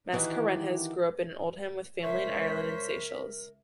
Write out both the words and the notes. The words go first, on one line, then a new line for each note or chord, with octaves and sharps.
Mascarenhas grew up in Oldham with family in Ireland and Seychelles.
D#3 E3 F#4 G4
C#2 A#4 C5 C#5 E5 B6